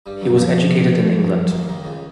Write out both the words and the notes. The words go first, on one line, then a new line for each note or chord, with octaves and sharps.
He was educated in England.
G2 G3
F#2 F#3
F2 F3
D#2 D#3
D#2 D#3
C#2 C#3